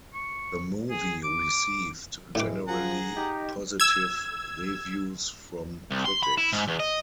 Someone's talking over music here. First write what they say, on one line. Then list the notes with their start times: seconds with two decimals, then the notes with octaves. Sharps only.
The movie received generally positive reviews from critics.
0.14 C#6
0.90 G#4
1.24 D6
2.35 A2 E3 G#3 D6
2.68 F3 G#4 F#5 A#5
3.17 D#4 G4
3.80 E6 G#6
5.91 C2
6.06 C6
6.23 B5
6.38 E4
6.53 G#2
6.68 E2
6.79 D#5